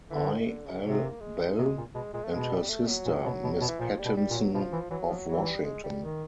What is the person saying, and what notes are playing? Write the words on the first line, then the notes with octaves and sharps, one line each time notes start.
I. L. Bell, and her sister, Miss Pattinson of Washington.
D3 E3
D#3
D3
C#3
C3 F#3
A#3
G#3
G#3
C3 G#3
A#2
B2 G#3
A#2 G#3
A3
B2 G#3
G3
A3
F#3
A#2
B2
B2
B2
E3
A#2 F3
G3
B2
G3
A#2
F#3
B2 F3
E3
E3 F#3
F3
E3 F#3
G3
G#3
G3
D#3